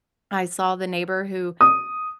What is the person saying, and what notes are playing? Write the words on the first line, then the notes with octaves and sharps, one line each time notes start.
I saw the neighbor who
D#6